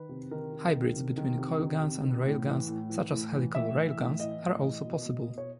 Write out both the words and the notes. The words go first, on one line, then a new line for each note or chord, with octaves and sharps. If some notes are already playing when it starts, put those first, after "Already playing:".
Hybrids between coilguns and railguns such as helical railguns are also possible.
Already playing: D#3 B4
C3
D#3 A#4
C3
D#3
C3
D#3
C3
D#3
C3
D#3
A2
E3
A2
E3
A2
E3
A2 E5
E3
A2
E3 D#5
A2
E3
B2
B2
B2
C#5